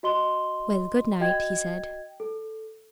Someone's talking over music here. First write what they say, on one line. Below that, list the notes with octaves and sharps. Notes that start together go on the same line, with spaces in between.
"Well, good night," he said.
F#4 D#5 C6 G7
F#4 D#5 G5 G#6
A4